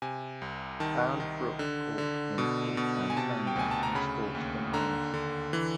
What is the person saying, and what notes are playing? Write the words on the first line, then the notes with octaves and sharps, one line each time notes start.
Boundbrook Port in Port Antonio exports bananas.
C3 G#5
C2
D#3 A5
D#3
D3
D3
B2
B2
G#5
C3 A5
G5
D2 G#5
A5
A#5
C#3 B5
D#2
D3 A#5
D3
E3